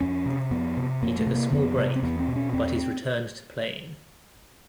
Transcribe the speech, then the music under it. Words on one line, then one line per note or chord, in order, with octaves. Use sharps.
He took a small break but is returned to playing.
F2 C#4
C3
F2 B3
C3
F2 A#3
A3
C3
A#3
F2 B3
C3
C4
E2 B3
C4
B2
C#4
E2 C4